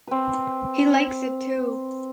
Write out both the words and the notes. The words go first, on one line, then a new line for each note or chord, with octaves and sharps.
He likes it too.
C4 B4